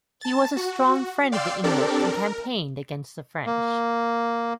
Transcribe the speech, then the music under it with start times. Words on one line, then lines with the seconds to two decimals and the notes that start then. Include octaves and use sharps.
He was a strong friend of the English and campaigned against the French.
0.21 A5 A6
0.56 F#4
1.32 D5 F5 G5 C6 E6
1.64 C4 D4 G4 A4 A#4 D5
2.09 A#4
3.46 A#3